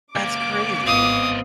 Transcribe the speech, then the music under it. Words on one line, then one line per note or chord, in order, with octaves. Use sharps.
that's crazy."
C#2 A#3 D6
G#1 B3 C4 D#5 F5 D#6